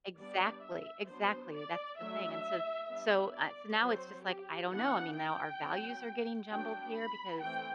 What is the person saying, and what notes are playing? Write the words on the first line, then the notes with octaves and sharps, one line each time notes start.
Exactly, exactly, that's the thing, and so so, uh, so now it's just like, I don't know, I mean now our values are getting jumbled here because,
G3 B3 D4 D5
E5
F#3 B3 D4 C5
D5
F#3 A3 D4 E5
G3 B3 D4
D5
F#3 C4 C5
G4
E3 B3 D4 F#5
G5
F#3 C4
F#3 B3 D4 G5
B5
E3 A3 C4 G5